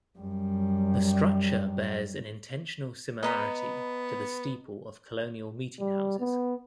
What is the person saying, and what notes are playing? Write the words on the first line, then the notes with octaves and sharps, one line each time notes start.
The structure bears an intentional similarity to the steeple of colonial meeting houses.
F#2 G3
B3 D#5 A#5 B5
G3
B3